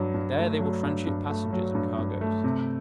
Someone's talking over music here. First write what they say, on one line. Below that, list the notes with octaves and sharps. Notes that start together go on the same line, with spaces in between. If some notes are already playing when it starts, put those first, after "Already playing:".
There they will tranship passengers and cargoes.
Already playing: G2 F#3
G2
A3
F#3
G2
G2
A3
F#3
G2
G2
A3
C3